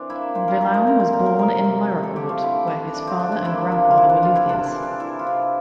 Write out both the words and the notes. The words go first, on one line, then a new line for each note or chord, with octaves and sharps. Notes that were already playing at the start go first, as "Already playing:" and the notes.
Vuillaume was born in Mirecourt, where his father and grandfather were luthiers.
Already playing: E3 C4 D4
A#3 E4
A#2 C5
A#4
A#2 A#4
C5
A3 A#4
C5
A#2 A#4
A#4
C3 A#4
C3
A3
A4
A3 G4
F4
D3 E4
A3 D4
F3 D4
C4
D3 D4
D4
A#3 E4
F3 F4
F4
F3 E4
D4
D3 F4
E4
C3 D4
C4
E3
D4
E3 E4
F4
C3 E4